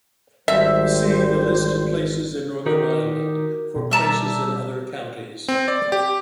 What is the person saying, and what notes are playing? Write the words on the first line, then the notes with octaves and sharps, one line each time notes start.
See the List of places in Northern Ireland for places in other counties.
G#1 G3 C5 E5
D#3 D#4 F#4 G4 A#4
B2
G3 E5 A5 A#5
C4
D5
G4